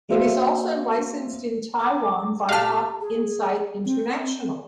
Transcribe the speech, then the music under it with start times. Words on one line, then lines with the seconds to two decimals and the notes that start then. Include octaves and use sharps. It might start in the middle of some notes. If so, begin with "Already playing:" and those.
It is also licensed in Taiwan by Top-Insight International.
0.09 A#3 F#4 C5 E5 F5
1.79 D6
2.49 A#2 A3 G4 F5 A5 F6
3.01 G#4
3.85 C4